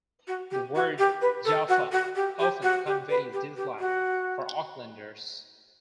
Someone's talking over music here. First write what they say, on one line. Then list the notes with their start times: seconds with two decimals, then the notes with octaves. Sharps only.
The word Jafa often conveys dislike for Aucklanders.
0.27 F#4
0.51 G4
0.75 F#4
0.98 G4
1.21 B4
1.45 A4
1.69 F#4
1.92 F#4
2.15 G4
2.39 G4
2.62 F#4
2.87 G4
3.10 B4
3.33 G4
3.57 G4
3.80 F#4